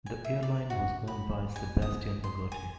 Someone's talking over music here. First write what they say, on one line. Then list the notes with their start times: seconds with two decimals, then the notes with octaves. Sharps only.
The airline was owned by Sebastian Agote.
0.06 G#5
0.24 E5
0.43 D5
0.70 F#4
1.08 B5
1.56 G#5
1.82 D#6
2.24 C6
2.52 G#5